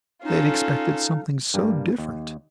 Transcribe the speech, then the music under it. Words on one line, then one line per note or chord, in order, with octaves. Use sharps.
They had expected something so different.
C#4 D#4 F4 A4
G2 G3 A#3
D#2